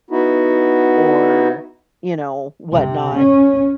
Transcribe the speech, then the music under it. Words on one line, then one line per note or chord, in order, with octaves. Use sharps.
or, you know, whatnot,
B3 D#4 E4 F#4
C3
C#4